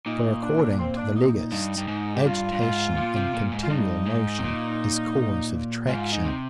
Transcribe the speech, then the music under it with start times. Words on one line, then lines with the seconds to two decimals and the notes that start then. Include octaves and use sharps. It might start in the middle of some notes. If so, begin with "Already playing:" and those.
For, according to the Legists, agitation and continual motion is cause of attraction.
0.06 A#2 D#4
0.43 D4
0.78 C4
0.97 D4
1.15 D#4
1.33 D#4
1.52 G2 D#4
1.77 G2
1.88 G#2
2.15 G4
2.24 G2 F4
2.52 G2
2.61 G#2
2.97 A#2
3.16 C3
3.34 A#2
3.52 G#2
3.63 F4
3.70 G2 D#4
4.06 G#2
4.39 C3
4.43 A#2
5.88 G#2 F4
6.13 D#4
6.25 C3